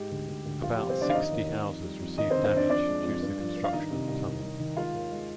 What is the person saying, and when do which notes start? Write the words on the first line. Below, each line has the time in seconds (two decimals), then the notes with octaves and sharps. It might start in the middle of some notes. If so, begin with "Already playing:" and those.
About sixty houses received damage due to the construction of the tunnel.
Already playing: G#2 G4
0.11 D2
0.28 D2
0.46 D2
0.63 F3 F4
0.76 C2 G4
0.89 C4 C5
0.98 F3 D4 D5
1.10 F5
1.14 D#2 D#4 D#5
1.32 D#2
1.49 D#2
1.67 F2
1.83 G3
2.00 F2
2.18 D#2 D#4 D#5
2.30 C4 C5
2.36 D3
2.44 C4 C5
2.53 D3 D4 D5
2.69 F2 D4 D5
2.87 G#3
3.04 F2
3.22 G2
3.38 F3
3.56 G2
3.64 F5
3.73 D#3 D#4 D#5
3.90 C3
4.08 C2
4.25 D#2
4.42 D#3
4.59 D#3
4.77 G#3 F4 F5
4.93 D#2
5.11 G#3